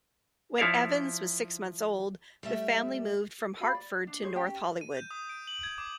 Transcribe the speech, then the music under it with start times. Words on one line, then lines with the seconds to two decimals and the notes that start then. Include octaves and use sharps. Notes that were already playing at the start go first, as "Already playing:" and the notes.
When Evans was six months old, the family moved from Hartford to North Hollywood.
0.58 F3 E4 C#5 D5 F5
2.43 G3 A3 E5
3.60 F#4 F5 B5
3.75 D5
4.07 D4
4.23 G#4 C5 C#5
4.35 C#4 G4 G5
4.81 D#7
4.97 G6
5.11 D#6
5.29 D7
5.47 F#7
5.63 G#6
5.78 D6